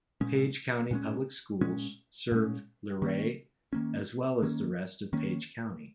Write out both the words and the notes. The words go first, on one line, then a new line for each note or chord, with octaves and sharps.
Page County Public Schools serve Luray, as well as the rest of Page County.
A#2 G#3 C#4
A#2 G#3 C#4
A#2 G#3 C#4
A#2 G#3 C#4
D#3 A#3 C#4
D#3 A#3 C#4
D#3 A#3 C#4
D#3 A#3 C#4